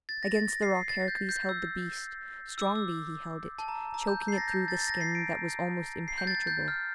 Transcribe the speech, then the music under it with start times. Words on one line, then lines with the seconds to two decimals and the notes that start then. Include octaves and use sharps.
Against the rock Heracles held the beast; strongly he held it, choking it through the skin that was almost impenetrable.
0.09 A6
0.23 A#6
0.35 A6
0.49 A#6
0.62 C7
0.75 C7
0.89 A6
1.08 G6
1.29 G6
1.49 E6
2.58 E6
2.62 D6
2.75 E6
3.58 A5
3.68 A#5
3.81 A#5
3.94 A#5
4.07 G6
4.28 C7
4.33 A6
4.38 A#6
4.48 G6
4.68 A6
4.80 A6
4.88 A#6
5.01 C7
5.15 D7
6.08 C7
6.18 G6
6.27 A6
6.47 G6
6.68 F6